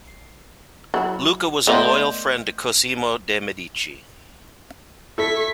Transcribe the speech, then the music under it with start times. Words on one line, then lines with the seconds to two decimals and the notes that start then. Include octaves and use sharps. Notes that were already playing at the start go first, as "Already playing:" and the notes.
Luca was a loyal friend to Cosimo de' Medici.
0.94 F#3 E4
1.67 A3 B3 C5 D5 D#5
5.18 E4 A4 C#6 B6